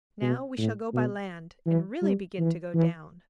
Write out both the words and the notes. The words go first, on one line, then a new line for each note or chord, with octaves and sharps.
Now we shall go by land, and really begin to go down!
B2
A2
B2
E3
G3
E3
E3